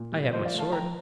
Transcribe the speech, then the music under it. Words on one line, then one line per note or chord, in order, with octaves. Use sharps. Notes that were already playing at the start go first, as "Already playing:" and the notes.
"I have my sword."
Already playing: A#2
G3
F3 C5 D#5
D5 F5
A3
F5 A5
F3 G5 A#5